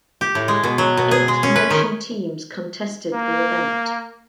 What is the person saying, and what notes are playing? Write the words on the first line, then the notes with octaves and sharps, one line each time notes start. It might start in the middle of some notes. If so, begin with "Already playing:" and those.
Eight nation teams contested the event.
G4
A2
G#3
B2
F#3
B2
G#4
G#3
C#4
B4
D#3
A#3